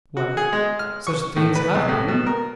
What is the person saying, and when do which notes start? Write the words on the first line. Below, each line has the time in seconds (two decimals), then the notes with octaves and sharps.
"Well, such things have been."
0.17 F#4
0.37 G#4
0.53 G#3
0.79 F6
1.07 C#6
1.36 A2
1.55 B4
1.75 C2
1.88 A2
2.08 B2
2.26 A#4